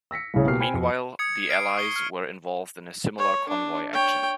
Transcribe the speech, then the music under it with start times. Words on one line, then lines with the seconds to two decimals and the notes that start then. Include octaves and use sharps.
Meanwhile, the Allies were involved in a similar convoy action.
0.11 E6 A#6 B6 C#7
0.34 C2 A2 C#3 C#5
0.46 B2 A#3 G4 F6 C7
0.60 C5 G5 G#5 B5
0.74 F2
1.19 D#6 G#6 C#7
1.50 F6 C7 D7
1.77 C#6 C7 G7
1.96 F6
3.18 C#5
3.48 D4
3.93 C#5 G5